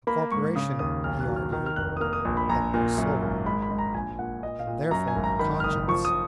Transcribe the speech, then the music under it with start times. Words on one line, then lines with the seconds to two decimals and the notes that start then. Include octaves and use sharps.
A corporation, he argued, had no soul, and therefore no conscience.
0.07 A#3 B5
0.31 G#2 C#6
0.56 C#3 D#6
0.79 D#2 D#6
1.04 B1 F6
1.20 F#6
1.28 F#3
1.36 F6
1.52 D#3 F6
1.66 F6
1.76 F1 F#6
1.97 D#6
2.01 A#3 F6
2.13 D#6
2.25 A#1
2.37 B5
2.49 A#1 A#5
2.74 A#2
2.98 F#2
3.22 G#1
3.46 G#3 B5
3.62 B5
3.71 G#3
3.78 A#5
3.94 A#1 G#5
4.19 A#2 F#5
4.43 A#2 D#5
4.59 F5
4.67 A#2
4.91 F#2 A#5
5.08 G#5
5.16 G#1
5.24 A#5
5.39 D#3 B5
5.60 F6
5.64 F#1 D#6
5.88 F3 C#6
6.05 D#6